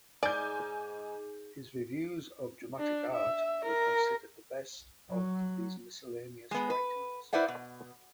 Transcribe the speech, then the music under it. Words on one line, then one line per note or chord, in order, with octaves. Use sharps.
His reviews of dramatic art were considered the best of these miscellaneous writings.
G#2 D5 G#5 D6 G6
D4
E5
A#4
F#3
G#3 B3
B4
E4 B4 C5 D5 E5 F#5
B2